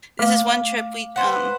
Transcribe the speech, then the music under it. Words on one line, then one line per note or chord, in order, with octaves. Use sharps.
This is one trip we, um
A3 F5 D6
B4 C5 F#5